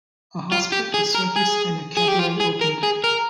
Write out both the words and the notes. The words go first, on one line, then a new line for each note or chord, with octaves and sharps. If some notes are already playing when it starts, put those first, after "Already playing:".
A hospital, a circus, and a cabaret opened.
F4
G4
G#4
A#4
G#4
G#4
G4
F4
G#4
A#4
G#4
A#4